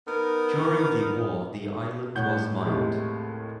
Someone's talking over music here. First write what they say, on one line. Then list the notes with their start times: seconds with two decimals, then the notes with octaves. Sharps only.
During the war the island was mined.
0.06 B3 D#4 A#4
2.15 A2 C#5 F#5 G6
2.66 D#2 A2 C3 G#3